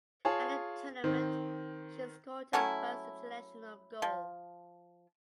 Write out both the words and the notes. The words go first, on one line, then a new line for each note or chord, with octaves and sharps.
At the tournament she scored her first international goal.
F4 G#4 C#5 A5
D#3 C4
F#3 A3 C#4 E4
F3